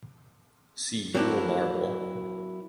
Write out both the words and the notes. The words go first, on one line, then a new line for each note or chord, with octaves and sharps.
See Yule marble.
F#3 A#3 C4 D4 E4